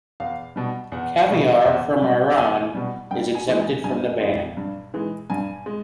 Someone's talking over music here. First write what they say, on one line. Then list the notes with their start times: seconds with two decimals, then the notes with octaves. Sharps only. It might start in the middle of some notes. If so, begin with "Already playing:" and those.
Caviar from Iran is exempted from the ban.
0.20 E2 F5
0.56 B2 G3
0.92 E2 F#5
1.29 B2 G3
1.65 E2
2.02 B2 G3
2.38 E2 G#5
2.74 B2 G3
3.11 G2 G5
3.35 G#5
3.48 E3 G#3
3.60 G#5
3.84 G2 G#5
4.20 E3 G#3
4.57 G2
4.94 E3 G#3
5.30 G2 G#5
5.66 G#3